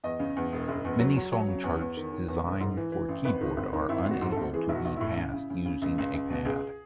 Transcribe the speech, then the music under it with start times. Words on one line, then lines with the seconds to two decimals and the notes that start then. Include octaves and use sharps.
Many song charts designed for keyboard are unable to be passed using a pad.
0.04 E2 D#5
0.20 C#3
0.36 E2
0.52 E1
0.68 F#1
0.85 E2
0.99 F#3
1.16 F#3
1.32 F#3 C#5
1.48 C#3
1.64 E2
1.81 E2
1.97 D#3
2.12 D#3
2.28 E2
2.44 E1
2.60 G#2
2.77 E3
2.92 E3
3.09 A1
3.25 G#1 B4
3.41 D#3
3.57 G#1
3.73 D#3
3.89 G#1 E4
4.04 G#1
4.11 F#4
4.21 G#2
4.32 G#1 A4
4.54 E3 G#4
4.69 B1 E4
4.75 F#4
4.85 B1
4.96 A2 E4
5.17 C#3
5.33 C#3
5.50 C#3
5.66 C#3
5.82 C#2
5.98 C#2
6.13 C#2
6.30 B2
6.45 C#2 G#4